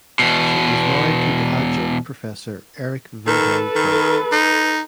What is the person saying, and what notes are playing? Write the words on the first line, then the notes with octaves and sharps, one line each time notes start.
She was married to the adjunct professor Erik Wilhelm Planck.
E2 B2
D#3 A4 B4
D#3
D#4